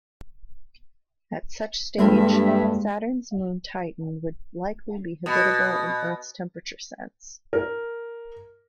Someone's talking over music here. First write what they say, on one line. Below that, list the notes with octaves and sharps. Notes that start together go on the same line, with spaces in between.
At such stage, Saturn's moon Titan would likely be habitable in Earth's temperature sense.
G2 G#3 A#3 A4 B4 E5 C6 F6
B2
A#4